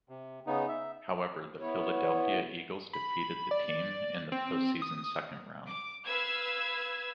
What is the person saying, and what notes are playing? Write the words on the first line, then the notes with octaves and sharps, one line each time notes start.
However, the Philadelphia Eagles defeated the team in the postseason's second round.
C3
C#3 B3 D#4
E5
B3 E4 C#5
B5
D5
C4
D#6
D6
B4 F5 E6 G#6